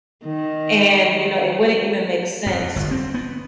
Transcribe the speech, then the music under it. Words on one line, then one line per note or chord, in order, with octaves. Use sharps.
and, you know, it wouldn't even make sense
D#3
F2
G1
C4
B3